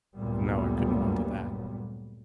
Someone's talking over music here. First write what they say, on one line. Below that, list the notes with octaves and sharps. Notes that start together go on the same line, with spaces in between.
No, I couldn't well do that.
D2 G2 A#2 F#3 G3 B3